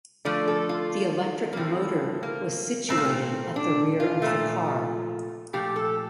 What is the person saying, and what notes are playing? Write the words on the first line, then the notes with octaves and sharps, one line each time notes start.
The electric motor was situated at the rear of the car.
D3 F3 A3 D5
A4
F4
A#3
A2 F3 A3 C4
A#3
A#2 A3 C4
A#3
C4
D4
F4
A#2 F3 A3
A#2 F3 A3 G4
A4